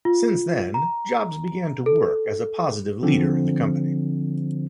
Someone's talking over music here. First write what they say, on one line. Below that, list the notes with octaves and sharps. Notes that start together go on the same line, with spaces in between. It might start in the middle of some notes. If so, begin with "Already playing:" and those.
Since then, Jobs began to work as a positive leader in the company.
F4
A#5
A4
D3 F3 C4